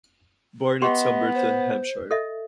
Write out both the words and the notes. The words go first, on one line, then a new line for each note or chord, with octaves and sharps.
Born at Soberton, Hampshire.
B3 G4 D#5 G5 C6
C5
A4 D#5 E5